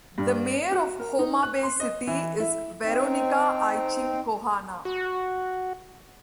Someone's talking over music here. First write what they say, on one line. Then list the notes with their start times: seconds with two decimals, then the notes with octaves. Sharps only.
The mayor of Homa Bay city is Veronica Achieng' Kohana.
0.18 G2
0.72 F#4
1.00 A#4
1.19 D#4
1.43 F#6
1.63 C6
1.80 D#5
2.07 E3
2.40 E4
2.83 C4 D#4
4.85 F#4